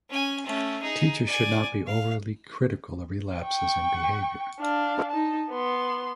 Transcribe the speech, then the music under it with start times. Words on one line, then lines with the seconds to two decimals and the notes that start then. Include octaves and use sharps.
Teachers should not be overly critical of relapses in behaviour.
0.10 C#4 G#5
0.46 A3 C#4
0.83 D#4 G#4
1.27 D5 G#5
1.87 F5
3.43 G5 C#6
4.60 D4 F5
5.10 D#4 A5
5.50 B3 C6